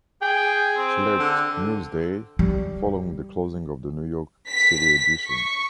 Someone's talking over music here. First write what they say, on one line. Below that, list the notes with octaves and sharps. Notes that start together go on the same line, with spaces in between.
She left "Newsday" following the closing of the New York City edition.
G#4 G5
C4
D3
G3
B6
C#6